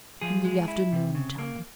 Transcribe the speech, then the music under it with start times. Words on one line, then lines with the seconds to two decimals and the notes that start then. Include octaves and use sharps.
'In the afternoon, tell them.
0.21 F3 G#4
0.45 G#3
0.68 E4
0.92 C3
1.15 C#3
1.38 A#3